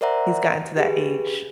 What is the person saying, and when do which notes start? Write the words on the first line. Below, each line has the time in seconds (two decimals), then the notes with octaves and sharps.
He's gotten to that age.
0.01 A#4 C5 D5 E5 F#5 A#5
0.77 G4 G#4 B4